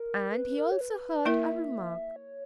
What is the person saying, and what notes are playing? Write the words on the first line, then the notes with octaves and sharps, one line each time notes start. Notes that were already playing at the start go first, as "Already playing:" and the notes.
And he also heard a remark.
Already playing: A#4
A#4
B4
A#4
C#5
B4
A#3 E4 A#4 E5
C#5